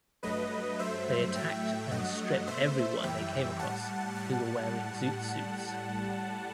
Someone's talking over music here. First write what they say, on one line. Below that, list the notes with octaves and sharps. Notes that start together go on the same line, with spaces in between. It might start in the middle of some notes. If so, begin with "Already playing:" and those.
They attacked and stripped everyone they came across who were wearing zoot suits.
G2 F#3 A3 B4 D#5
G2 F#3 A3 C5 E5
A2 F#3 A3 E5 G5
G2 F#3 A3 D#5 F#5
B2 A3 C5 E5
F#2 E3 G3 E5 G5
A2 G3 F#5 A5
A2 G3 F#5 A5